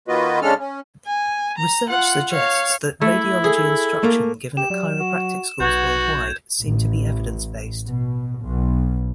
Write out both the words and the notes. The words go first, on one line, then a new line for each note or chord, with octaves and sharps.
Research suggests that radiology instruction given at chiropractic schools worldwide seem to be evidence-based.
D#3 A#3 F4 F#4 B4 D#5
C#3 G#3 C#4 D4 A4 F6
C#4
G#5
A#5
F4 F#5
C#5 F5
A3 E4 E5
G#4 A4
A3 A#3
G4 E7
F#3 G3
F#4
B1 B3 F#4 G6 G#6
A1
B2
B1